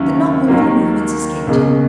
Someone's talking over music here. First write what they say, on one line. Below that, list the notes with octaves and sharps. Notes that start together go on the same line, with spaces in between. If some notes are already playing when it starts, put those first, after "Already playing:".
"That not one of your movements escaped him?"
Already playing: D#2 C#3 F#3 C#4 E4
D#2 D#3 F#3 A#3
C#2 B2 A#3 C#4 G#4